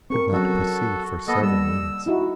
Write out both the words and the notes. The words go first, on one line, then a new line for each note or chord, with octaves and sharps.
He could not proceed for several minutes.
C4 A4 A#4 C#6
F#3 C#4 F#4 A4
A#3 B3 A4 D#5
G3 E6
D#4 E4 F#4